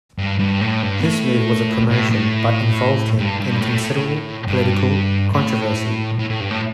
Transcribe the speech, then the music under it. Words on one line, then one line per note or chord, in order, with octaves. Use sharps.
This move was a promotion but involved him in considerable political controversy.
G2
G2
A2
G2
B2
A2
A2
A2
G2
G2
A2
G2
A2
A2
A2
G2
A2